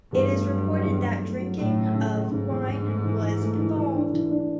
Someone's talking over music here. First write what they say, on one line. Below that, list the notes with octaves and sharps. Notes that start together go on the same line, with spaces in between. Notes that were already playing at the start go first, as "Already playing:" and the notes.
It is reported that drinking of wine was involved.
E2 G2
A3
F#3
F#3
E2
E2
A3
F#3
A2 A3
C#3
C#3
A3
G#2 C#3
E2
E2
A3
E3
E3
A3
E3
E3
D4
E3
D4